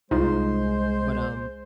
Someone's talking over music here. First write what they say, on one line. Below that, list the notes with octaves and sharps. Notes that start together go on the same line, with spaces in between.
but, um
C2 G#3 D#4 F4 C5